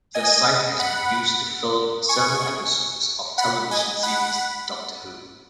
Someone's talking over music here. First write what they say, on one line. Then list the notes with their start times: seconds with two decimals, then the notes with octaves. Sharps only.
The site has been used to film several episodes of television series Doctor Who.
0.14 D#5 G#5
0.79 F#5 B5
2.09 G#5 C#6
3.38 F#5 B5
3.71 D#5 G#5
4.03 F#5 B5